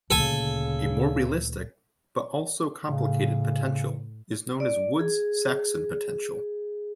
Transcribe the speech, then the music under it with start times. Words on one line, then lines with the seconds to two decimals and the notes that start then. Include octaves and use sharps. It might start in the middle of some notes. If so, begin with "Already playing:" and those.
A more realistic but also complicated potential is known as Woods-Saxon potential.
0.11 D2 A#2 C#3 A4 G#5
2.87 A2 C#3
4.60 D5
4.99 G#4